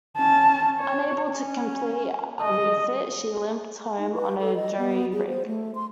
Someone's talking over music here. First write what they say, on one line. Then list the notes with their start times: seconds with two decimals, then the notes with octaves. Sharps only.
Unable to complete a refit she limped home on a jury rig.
0.17 C#4 A5
0.79 C#5
1.30 C#4
2.42 D#5
3.98 D#4
4.14 B4
4.40 A4
4.56 D#5
4.78 B3
5.13 G#4
5.27 C5
5.46 A3
5.75 C6